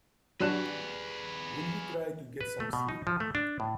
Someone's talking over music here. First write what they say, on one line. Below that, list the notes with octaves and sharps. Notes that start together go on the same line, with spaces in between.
Will you try to get some sleep?
F#3 G3 D4 F#4 G#4 B4 F#6 E7
B4
A3
B2
D#4
F3
A3
D4
A2